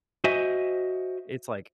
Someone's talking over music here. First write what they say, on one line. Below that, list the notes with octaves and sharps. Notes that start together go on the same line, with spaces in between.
it's, like,
F#4 C5 D#5 E5 G#5